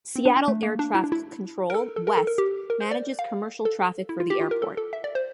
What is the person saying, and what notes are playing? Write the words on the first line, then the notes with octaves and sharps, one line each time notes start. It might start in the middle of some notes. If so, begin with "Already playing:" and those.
Seattle air traffic control, west, manages commercial traffic for the airport.
C4
D4
D4
A3
A#3
D4
E4
D4
E4
A#4
A4
A4
A#4
A4
A#4
G4
A#4
C5
D5
F5
A4
E4
F4
G4
F4
A#4
A4
A4
E5
D5
C5